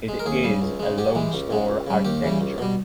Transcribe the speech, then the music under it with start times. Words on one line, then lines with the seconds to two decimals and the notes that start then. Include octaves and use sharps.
It is a load-store architecture.
0.08 G#3
0.19 A#4
0.26 D#2 G#4
0.43 C#3 G3
0.62 C#2
0.80 C#3 G#3
0.98 G#2 G4
1.15 E3 G#3
1.33 C#2
1.50 C#3 G#3
1.69 C#2
1.87 C#3 G3
2.05 D#2 G4
2.23 C#3 E3 G3
2.41 C#2
2.58 B2 G3